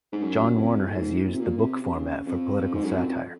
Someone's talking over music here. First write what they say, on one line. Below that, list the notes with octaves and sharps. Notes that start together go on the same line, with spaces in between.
John Warner has used the book format for political satire.
G#2
F#2
F2
A#2
G#2
A#2
C3
A#2
C3
C3
C#3
F2
G#2
F#2
F2